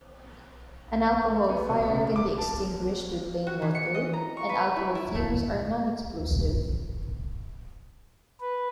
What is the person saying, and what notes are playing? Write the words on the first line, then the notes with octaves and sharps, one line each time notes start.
An alcohol fire can be extinguished with plain water, and alcohol fumes are non-explosive.
B3
B2
C#2
D6
A5
F#4
E3
C#7
D#5
A#5
C#6
B4
E4
E4
A3
D#2
G2
G#1
B4